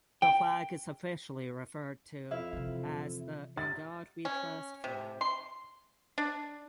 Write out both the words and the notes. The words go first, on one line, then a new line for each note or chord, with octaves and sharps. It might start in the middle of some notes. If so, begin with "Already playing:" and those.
The flag is officially referred to as the "In God We Trust Flag".
G5
F2 E4 E5 F5
C3 E3
A6
C#4
C3
C6
D4